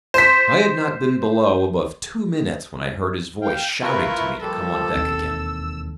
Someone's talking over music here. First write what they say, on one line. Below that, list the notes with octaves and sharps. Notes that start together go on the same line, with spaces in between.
I had not been below above two minutes when I heard his voice shouting to me to come on deck again.
C5 B6
F5 G5
E4 F4 A#4 B4 C#6
F3 G3 A#3 A4
E1 D#2 C4 E6